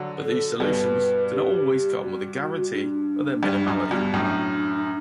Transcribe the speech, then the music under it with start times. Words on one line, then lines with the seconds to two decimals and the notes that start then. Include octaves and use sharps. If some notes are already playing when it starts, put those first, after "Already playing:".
But these solutions do not always come with a guarantee of their minimality.
Already playing: D3 F#3
0.24 A4
0.60 G2 B2 B4
1.30 G4
2.02 F#4
2.73 D4
3.43 G2
3.67 F#2
3.91 G2 B2
4.13 F#2 A2 D4